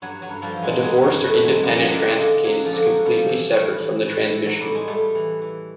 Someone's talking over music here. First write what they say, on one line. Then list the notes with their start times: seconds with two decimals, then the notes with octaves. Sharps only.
A divorced or independent transfer case is completely separate from the transmission.
0.02 G2 F#3
0.22 F#3
0.29 G2
0.42 F3 G3
0.56 E3
0.62 F#3 G#3
0.83 G2 F#3 G#3
1.03 F#3
1.10 G2
1.23 G3 A3
1.38 E3
1.43 F#3 G#3
1.63 F#2 F3 G3
1.84 F#3 G#3
1.92 D3
2.04 G#3 A#3
2.18 D3
2.45 F#2 F#3
2.65 F3
2.73 D3
2.86 F#3
2.98 D3
3.05 F3 G3
3.27 E3
3.53 A2
3.80 E3
4.06 A2
4.34 E3
4.46 F#3
4.60 A2 G3
4.74 G#3
4.87 A2 G3 A3
5.15 E3
5.42 E3